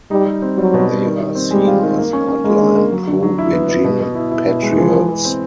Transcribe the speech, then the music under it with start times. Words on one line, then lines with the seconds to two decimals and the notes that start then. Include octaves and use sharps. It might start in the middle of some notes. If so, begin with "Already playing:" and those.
They are seen as hard-line pro-Beijing patriots.
0.11 G3 D#4
0.26 G3
0.42 C4
0.57 F#3 G3
0.74 B2
0.89 G3
1.05 D#3
1.19 D#3
1.35 C4
1.51 G3 G#3
1.67 F4
1.82 D#3
1.98 A#3
2.13 C#4
2.28 C#4
2.44 G#3 A#3
2.60 D3
2.76 A#3
2.92 F#3
3.07 D3
3.22 F#3
3.38 E4
3.53 B3
3.69 B3
3.84 B2
4.01 B2
4.15 E4
4.32 E4
4.47 B2
4.62 G#3
4.77 E3 F3
4.93 G#3
5.09 E3
5.25 C4